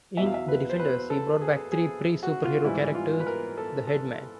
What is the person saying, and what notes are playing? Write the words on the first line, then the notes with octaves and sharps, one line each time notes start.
In "The Defenders," he brought back three pre-superhero characters, the Headmen.
E2 B2 F#3 E5
F5
E5
B4
C5
B4
A4
G#4
G#4
F#4
F4
G#2 E3 G3 E4
F4
B4
A#4
A4
A4